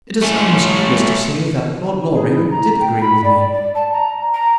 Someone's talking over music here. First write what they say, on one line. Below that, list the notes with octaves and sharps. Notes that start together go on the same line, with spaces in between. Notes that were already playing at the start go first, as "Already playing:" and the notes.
It is almost needless to say that Lord Loring did agree with me.
A3 C#4
G#4
E4
A#5
G5
B5
D5
D5
A5
A#5
A#5